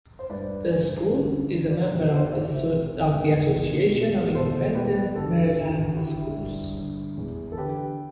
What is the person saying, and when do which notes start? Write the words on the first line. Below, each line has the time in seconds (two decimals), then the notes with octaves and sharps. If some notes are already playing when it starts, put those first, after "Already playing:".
The school is a member of the Association of Independent Maryland Schools.
0.19 C5
0.30 G2 B4 D5
0.70 G2
1.12 D3
1.51 D3
1.70 D5
1.81 C5
1.91 E2 G4 B4
2.16 C5
2.24 D5
2.32 E3 C5 E5
2.72 C3
3.14 E2
3.54 B2
3.94 B2
4.35 B2 A4 C5
4.75 B2 G4 B4
5.15 D3 F#4 A4
5.56 D3
5.85 F#4
5.96 D3 E4 G4
6.37 G2
6.77 D3
7.17 E2
7.52 A4
7.57 D3 G4 B4